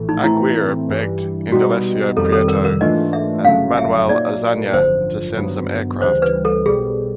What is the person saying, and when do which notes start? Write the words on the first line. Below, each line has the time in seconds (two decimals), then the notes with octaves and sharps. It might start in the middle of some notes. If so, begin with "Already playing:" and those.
Aguirre begged Indalecio Prieto and Manuel Azaña to send some aircraft.
Already playing: A#1 A2 E3 A3
0.09 D#4
0.24 A2 E3 A3 C4 E4
0.89 G2 E3 G3
1.52 B2 G3 B3 D#4 F#4
2.17 F2 C3 D#3 G3 A4
2.32 A4
2.48 A#4
2.65 A#4
2.81 G#2 E3 A3 D4 F4 D#5
3.13 E5
3.45 G1 F#2 C#3 F#3 A3 F5
3.78 E5
4.09 A#2 F#3 A#3 D#4 D5
4.73 G#1 F#2 D3 F3 C5
5.37 G1 G2 D#3 F#3 B3
6.02 D2 C#3 E3 G3 C5
6.22 B4
6.45 A4
6.65 B1 B2 G3 G#4